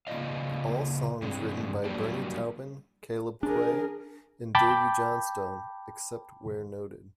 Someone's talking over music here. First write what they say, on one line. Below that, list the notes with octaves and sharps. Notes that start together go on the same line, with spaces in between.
All songs written by Bernie Taupin, Caleb Quaye, and Davey Johnstone, except where noted.
C#3 A#3 F4 D5 D#5 F5
G2 C3 E3 G#3 D4
F#3 G3 A#3 D4 G4
D4 G#4 A#4
G5 A5 B5 D6 G6